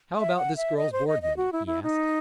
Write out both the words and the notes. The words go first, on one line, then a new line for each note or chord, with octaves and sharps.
"How about this girl's board money?" he asked.
E5
F#5
E5
D#5
C5
D#5
D#5
F#4
E4
E4
D#4